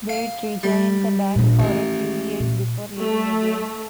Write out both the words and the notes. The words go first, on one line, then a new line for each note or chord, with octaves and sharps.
Wade rejoined the band for a few years before leaving again.
F5
G3
A#1 A#2
A1 D#3
A#2
A3